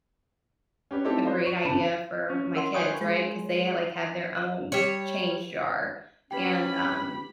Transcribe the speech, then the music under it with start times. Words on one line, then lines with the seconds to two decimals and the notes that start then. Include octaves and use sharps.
a great idea for my kids, right, 'cause they like have their own change jar and um
0.91 C#4 G4 B4 C#5
1.04 A3 C4 D#4 E4 G4 A4
1.25 B4 C5 D5 D#5 F5
1.46 C#6
1.65 G1 C#2 C3 A5 B5 D#7
2.30 C#4
2.55 A#4 F#5 C6
2.74 B4 C#5 G5 G#5 D#6
3.01 G#3 F4
4.72 G3 C#5
6.31 C#4 G4 B4 G5 B5